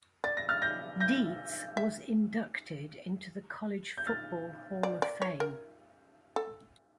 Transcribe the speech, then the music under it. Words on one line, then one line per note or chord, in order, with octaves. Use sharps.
Dietz was inducted into the College Football Hall of Fame.
D5 A6
A#6
F6 A6
G6 A#6
G6 A#6
E5
G6
F6 A6
D5
D5
C#5
A#4
A4